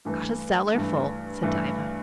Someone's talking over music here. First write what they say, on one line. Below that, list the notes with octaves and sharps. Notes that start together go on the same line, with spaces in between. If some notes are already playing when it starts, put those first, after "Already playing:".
"Got a cellar-full," said Diva.
G2 E3 A3
G2 E3 A3
G2 E3 A3